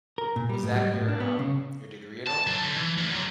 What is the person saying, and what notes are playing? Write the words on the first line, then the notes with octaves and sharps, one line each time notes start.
was that your, um, your degree at all
A#4
A#2
G3
A2
G3
A2
D4
B3
C#3
A5
F#3 A4
D2
E3
D2
D3 F#3